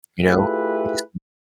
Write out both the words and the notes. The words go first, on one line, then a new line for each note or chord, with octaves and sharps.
you know? We just
A3 E4 F4 G4 G#4 B4